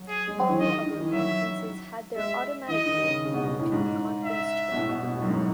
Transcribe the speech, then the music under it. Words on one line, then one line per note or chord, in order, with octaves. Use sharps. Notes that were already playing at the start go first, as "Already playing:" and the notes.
All other conferences had their automatic bid go to the conference tournament winner.
Already playing: F#3
G#4
G#3
F#3
E3
D#3 D#5
D#3
E3
F#3 E5
G#3 E5
E3 D#5
D#3
C#3
C#3
B2
B2
A2
G#2
E5
B2
A2
B2
B2
A2
F#2
G#2